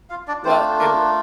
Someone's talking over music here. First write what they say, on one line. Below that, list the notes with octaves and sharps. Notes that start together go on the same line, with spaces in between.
Well and
F4 F5
D4 D5
A3 C4 D4 F4 C5
A#3 A#4